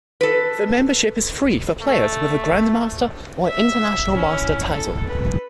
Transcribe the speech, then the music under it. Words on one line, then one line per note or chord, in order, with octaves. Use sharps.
The membership is free for players with a Grandmaster or International Master title.
A4 B4
A3
E5
C#4 E4
A4
B4